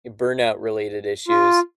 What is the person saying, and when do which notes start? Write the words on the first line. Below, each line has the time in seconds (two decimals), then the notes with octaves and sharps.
burnout related issue,
1.28 F4